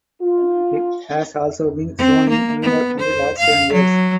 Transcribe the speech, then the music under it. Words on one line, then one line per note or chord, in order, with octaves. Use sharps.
It has also been shown in New York and Los Angeles.
F4
C4
A#3
B3
C5
F5
F#3